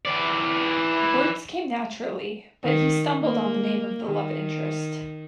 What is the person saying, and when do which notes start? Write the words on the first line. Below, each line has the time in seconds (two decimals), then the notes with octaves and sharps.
Words came naturally, but he stumbled on the name of the love interest.
0.05 E3 D5
2.64 D#3
3.22 A#3
4.06 D#3